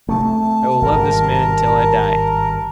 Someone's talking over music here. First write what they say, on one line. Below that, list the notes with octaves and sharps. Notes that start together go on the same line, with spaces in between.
I will love this man until I die.
C3 A3 A5
G#1 G2 A#4